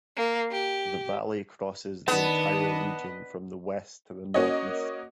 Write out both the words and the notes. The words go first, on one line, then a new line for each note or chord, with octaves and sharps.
The valley crosses the entire region from the west to the northeast.
A#3
G4
D#3 B3 D4 B4 D#5 A5
A#3 C#4 F#4 C#5 D#5